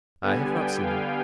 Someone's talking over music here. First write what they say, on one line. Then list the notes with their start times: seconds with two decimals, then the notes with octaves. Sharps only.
"I have not seen him."
0.22 D3 G3 B3 G#5
0.52 G5
0.82 F5